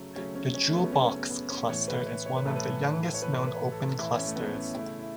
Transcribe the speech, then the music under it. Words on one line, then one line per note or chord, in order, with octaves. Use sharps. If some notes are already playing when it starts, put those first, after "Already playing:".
The Jewel Box cluster is one of the youngest known open clusters.
Already playing: C#3 F#3 A3
C#3 F#3 A3 C#4
C#4
C#4
A3
B3
C#3 F#3 A3 C#4
C#4
B3
C#4
A2 E3 A3 C#5
B4
C#5
C#5
B4
A2 E3 A3 A4
B4
C#5
A2 E3 A3 B4
B4
A4
A2 E3 A3 E4
C#4
A3
B3
C#4
C#3 A3 E4
E4